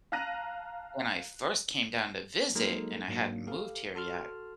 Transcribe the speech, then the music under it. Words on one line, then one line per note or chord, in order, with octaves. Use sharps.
when I first came down to visit and I hadn't moved here yet,
F5 A5 A#5 F#6 A#6 D#7
F#3 G#3 A#3 D#4 A4 A#4
G#2 F#3 A#3 D4
G4 A4 B4 F5
F#4 A4 A5 C6 F6